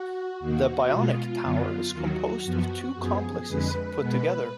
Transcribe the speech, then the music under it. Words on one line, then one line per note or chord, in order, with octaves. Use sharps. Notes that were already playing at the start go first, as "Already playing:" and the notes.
The Bionic Tower is composed of two complexes put together.
Already playing: F#4
D#2 D#3 A#3 F#4
B2 G#3 B3 F4
F#2 D3 F#3 B3
D#2 D#3 F#3 F#4
F#2 F3 B3 F#4
F#2 F3 B3 G#4
F2 D3 G#3 B4
B2 G#3 B3 B4